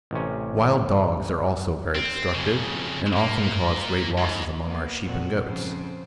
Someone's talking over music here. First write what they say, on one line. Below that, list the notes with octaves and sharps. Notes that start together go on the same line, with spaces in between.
Wild dogs are also very destructive, and often caused great losses among our sheep and goats.
A1 C3 C#4
C4
F2 C#3
A#2 A#3
G#2
A#3 B3
F2 A#2 F#4
F2 C#3 C5